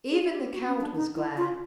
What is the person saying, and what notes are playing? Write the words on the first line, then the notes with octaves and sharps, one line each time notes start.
Even the Count was glad.
G#4
G4
F#4
C#4
D4
D#4
E4
F4